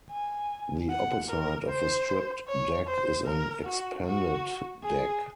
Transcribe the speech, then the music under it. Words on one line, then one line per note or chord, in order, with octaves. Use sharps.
The opposite of a stripped deck is an expanded deck.
G#5
F#5
A#4
C5
C#5
C5
A#4
F#4
F#4
G#4